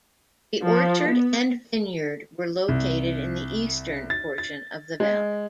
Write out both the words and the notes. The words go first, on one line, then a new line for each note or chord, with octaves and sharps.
The orchard and vineyard were located in the eastern portion of the valley.
F3
B3
C2
A6
A6
G#3